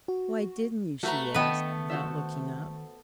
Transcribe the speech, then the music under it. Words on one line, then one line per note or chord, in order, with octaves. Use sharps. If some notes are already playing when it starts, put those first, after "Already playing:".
"Why didn't you?" she asked, without looking up.
F#4
A3 F#4 B4 A#5
D#3 B3 D4 B4 D#5 G5 A5
F#4 C5 E5